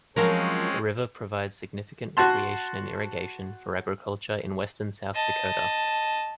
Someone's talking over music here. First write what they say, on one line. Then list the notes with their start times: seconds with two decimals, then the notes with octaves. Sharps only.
The river provides significant recreation and irrigation for agriculture in western South Dakota.
0.16 F3 F#3 G#3 C4 C#4 A#4
2.17 F#4 F#5 A5 C6
5.15 D#5 A5